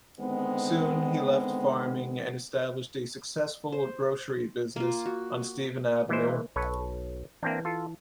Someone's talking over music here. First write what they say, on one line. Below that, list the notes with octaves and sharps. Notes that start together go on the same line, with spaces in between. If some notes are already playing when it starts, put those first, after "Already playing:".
Soon he left farming and established a successful grocery business on Stephen Avenue.
D3 D#3 G#3 B3 C4
C5
A#3 F4
F#4
E3 G#3 C5
A#3
B1 A4 B4 C#5
E3 A#3 C4 D4
F4 A4